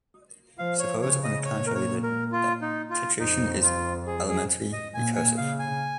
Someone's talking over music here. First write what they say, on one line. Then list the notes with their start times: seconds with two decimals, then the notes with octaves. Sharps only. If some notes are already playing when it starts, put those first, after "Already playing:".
Suppose on the contrary that tetration is elementary recursive.
0.58 F3 F5
0.80 C#5
1.01 C#3 C#5
1.23 D#5
1.45 A#2 C#5
1.67 A#4
1.75 C#5
2.03 A#4
2.32 F4
2.62 D#4
2.90 F4
3.19 F2 D#4
3.63 F4
4.07 G#4
4.29 G#4
4.73 D#5
4.94 A#2 G#5
5.16 G#5
5.37 C#3 F5
5.59 G#5